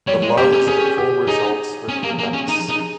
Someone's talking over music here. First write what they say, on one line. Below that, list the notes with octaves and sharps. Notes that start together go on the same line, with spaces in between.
Below is the full results for the events.
G3 C#5
G#3
A#3 G4
C#4
C#4 G#4
G4
D#4 G#4
C#4
A#3
A#3
C#4
D#4
D#4